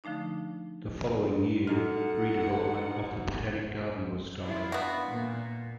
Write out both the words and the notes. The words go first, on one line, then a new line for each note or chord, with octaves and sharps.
The following year, redevelopment of the Botanic Garden was started.
D3 F3 A3 D4 D#4
F#2 D#4 A4 F#5 F6
D4 E4 F4
B3 F#4
A#2